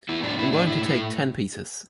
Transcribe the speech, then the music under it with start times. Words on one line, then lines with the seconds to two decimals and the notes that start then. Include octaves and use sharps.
I’m going to take ten pieces.
0.09 B3 E4
0.23 A2 D4
0.38 A2 E4
0.52 A2 D4
0.67 A2 E4
0.81 A2 E4